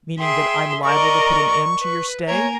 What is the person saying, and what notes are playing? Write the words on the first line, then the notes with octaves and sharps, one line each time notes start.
"Meaning that I'm liable to put an end to your stay?"
G#4 E5 G5 C6
A#4 D5 D#5 C#6
B4
A#3 A#4 C#5 G#5